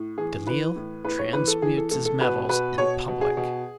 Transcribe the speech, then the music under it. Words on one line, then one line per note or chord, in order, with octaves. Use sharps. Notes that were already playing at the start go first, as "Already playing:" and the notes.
Delisle transmutes his metals in public.
Already playing: A2
E3 G#4
E3 B4
A2
A2 B4
C#5
E3 B4
A4
E3 G#4
A4
A2 A4
A4
B2 B4
B2 B4
B2 C#5
B2
G#4
B2